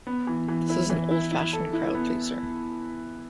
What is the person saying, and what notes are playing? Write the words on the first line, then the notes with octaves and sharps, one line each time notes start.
This is an old-fashioned crowd-pleaser.
B3
E3
E3
E4
E3
E4
E4
A4
E4
B3